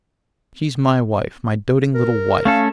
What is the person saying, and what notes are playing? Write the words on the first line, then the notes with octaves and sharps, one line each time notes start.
She's my wife, my doting little wife.
A#4
A3 C#4 A4 F5